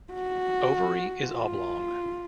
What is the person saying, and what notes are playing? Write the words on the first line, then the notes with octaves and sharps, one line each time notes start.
Ovary is oblong.
F#4
F4